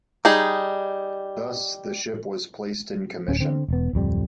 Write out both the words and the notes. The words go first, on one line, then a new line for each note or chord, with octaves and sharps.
Thus, the ship was placed in commission.
G3 D#4 G#4
D1 C#4
D3 C4
E1 B3
D1 F2 G3